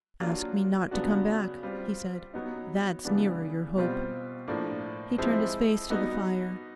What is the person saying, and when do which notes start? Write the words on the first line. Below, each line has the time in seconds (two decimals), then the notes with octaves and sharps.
'Ask me not to come back,' he said; 'that's nearer your hope.' He turned his face to the fire.
0.20 F#3 A#3 D4 F4
0.91 C#3 F#3 B3 D4 F#4
1.63 G3 C4 F4
2.34 F#3 B3 D#4
3.05 C#3 E3 G3 B3 D4
3.76 B2 G3 C4 F4
4.48 A2 F3 A#3 D4
5.18 F3 G#3 C4 E4
5.90 G3 B3 D#4 F#4